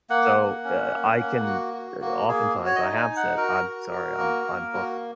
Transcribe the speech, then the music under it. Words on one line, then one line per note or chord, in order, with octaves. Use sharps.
So, uh, I can uh, oftentimes, I have said, "I'm sorry. I'm I'm booked
A#3 F#5
A#3
C#4
A#3
A#3
F#4
F#4
A#3 F#4
A#3 G#4
F#4
C#5
D#5
D#4
G#5
D#4
F#5
F#4 A#4
F#4
F#4
A#3
A#3
F#4